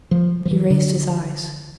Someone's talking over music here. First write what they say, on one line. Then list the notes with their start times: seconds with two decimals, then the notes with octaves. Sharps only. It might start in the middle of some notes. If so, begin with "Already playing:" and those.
He raised his eyes.
0.11 F3
0.45 F3
0.51 E3
0.70 D3